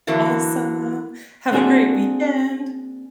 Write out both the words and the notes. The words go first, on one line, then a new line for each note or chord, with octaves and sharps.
Awesome, have a great weekend.
D3 E3 F#3 A#3 D4
A#3 C4 D4 F#4 G#4